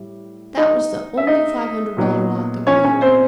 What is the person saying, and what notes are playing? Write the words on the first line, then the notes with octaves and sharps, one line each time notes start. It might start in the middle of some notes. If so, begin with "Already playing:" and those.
That was the only five-hundred-dollar lot that went.
Already playing: A2 G3
D#4 D#5
E5
D#4 D#5
A#2 F#3 B3 D#4
C#4 C#5
C#4 C#5
C4 C5